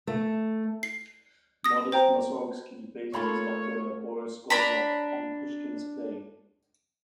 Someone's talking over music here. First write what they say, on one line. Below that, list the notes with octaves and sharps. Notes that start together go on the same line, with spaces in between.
Modest Mussorgsky based his opera "Boris Godunov" on Pushkin's play.
A3
C7
D#6 A#6
C5 G5 A#5
A3 A#3 D#4 F4 A4 C#5 B5
D4 A#5 B5